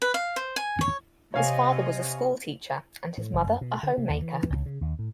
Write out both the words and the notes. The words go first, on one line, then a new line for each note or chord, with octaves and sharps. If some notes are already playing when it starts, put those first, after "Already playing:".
His father was a school teacher and his mother a homemaker.
B4
F5
C5
G#5
C#5
C3 C#5 D#5 F5 G#5
A2
F#1
F#2
B2
D3
C3
D#2
E3
C#2
C#3
D#2
A2